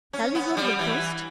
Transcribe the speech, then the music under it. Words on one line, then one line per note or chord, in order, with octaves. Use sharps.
Shall we go to the post?
C#4
B3
G3
E3